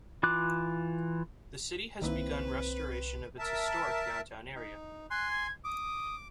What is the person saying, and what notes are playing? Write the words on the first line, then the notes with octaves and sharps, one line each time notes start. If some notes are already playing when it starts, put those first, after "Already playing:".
The city has begun restoration of its historic downtown area.
E3 F4 D6 F#6
C2 D#3 A#3 C4 E4 B4
A#4 E5 A5
D#4
G#5 C6 F#6
G#6
D6 D#6